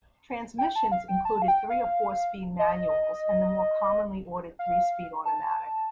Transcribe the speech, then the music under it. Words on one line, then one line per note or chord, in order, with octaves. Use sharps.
Transmissions included three- or four-speed manuals and the more commonly ordered three-speed automatic.
G5
A5
F5
G5
A5
F5
G5
F5
D#5
F5
A5